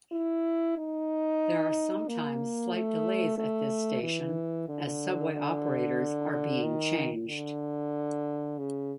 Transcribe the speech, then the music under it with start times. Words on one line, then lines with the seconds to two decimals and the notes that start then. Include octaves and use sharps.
There are sometimes slight delays at this station as subway operators are being changed.
0.12 E4
0.77 D#4
2.08 A#3
2.73 A3
3.38 A3
4.03 E3
4.68 D3
5.33 D3
6.63 D#3
7.27 D3
8.58 C#3